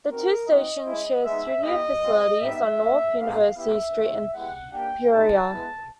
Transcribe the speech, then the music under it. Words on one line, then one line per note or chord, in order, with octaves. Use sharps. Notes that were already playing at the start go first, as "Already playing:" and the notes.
The two stations share studio facilities on North University Street in Peoria.
C4 D#4 F#4 A#4
C4 D#4 F#4 D#5
G#3 C#4 E4
G#3 B3 D#4 E5
B3 E4 G4 D#5
G#3 C4 F4
G3 B3 D#4 G4 E5
A#3 C#4 F4
B3 D4 G4 F5
B3 E4 G4 E5
A3 C4 F4
G#3 B3 E4 G4 F#5
A#3 D4 G4 G5
G#3 C4 D#4 G4 A5
G#3 B3 E4